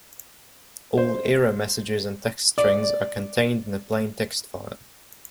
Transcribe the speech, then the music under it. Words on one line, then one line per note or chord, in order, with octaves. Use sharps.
All error messages and text strings are contained in a plain text file.
C5
D5